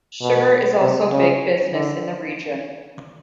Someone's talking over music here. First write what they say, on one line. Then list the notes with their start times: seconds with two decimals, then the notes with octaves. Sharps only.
Sugar is also big business in the region.
0.21 B2
0.81 C3
1.11 C#3
1.72 D3